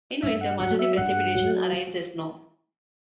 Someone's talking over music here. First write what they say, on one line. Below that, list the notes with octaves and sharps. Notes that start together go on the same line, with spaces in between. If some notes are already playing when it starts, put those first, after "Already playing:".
In winter, much of the precipitation arrives as snow.
G2 E5
F#5
F#3 F#5
E5
G2 F#5
F#3